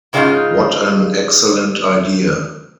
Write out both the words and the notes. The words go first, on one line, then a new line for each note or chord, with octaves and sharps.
What an excellent idea.
G#2 C#3 G#3 C#4 D#4 F4